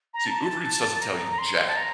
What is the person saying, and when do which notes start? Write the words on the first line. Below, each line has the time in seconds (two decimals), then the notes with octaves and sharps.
See, Uber Eats doesn't tell you jack.
0.13 A#5
0.26 A5
0.63 A5
1.00 A#5
1.31 A#5
1.38 C6
1.68 A5
1.76 A#5